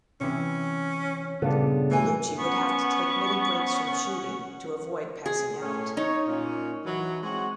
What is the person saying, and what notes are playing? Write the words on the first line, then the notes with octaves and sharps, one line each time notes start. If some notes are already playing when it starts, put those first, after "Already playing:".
Colucci would have to take many breaks from shooting to avoid passing out.
C3 E3 C#4
G2 A#2 C#3 B3 D4 A4
E3 A3 G#5
B3 C#4 F#5 C#6
G#4
A2 C#4
D#4 C#5
A#2 C#4
E3 F#3
G#3 C4 F#4